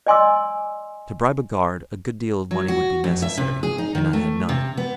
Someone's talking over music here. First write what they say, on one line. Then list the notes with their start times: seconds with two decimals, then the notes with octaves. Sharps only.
To bribe a guard a good deal of money would be necessary, and I had none.
0.07 D5 D#5 G#5 C6 D6 E6
2.51 F#3
2.68 F#4
3.04 F2
3.22 E5
3.37 C3
3.63 G#4
3.78 D#4
3.95 D#3
4.13 A3
4.49 C3
4.77 B3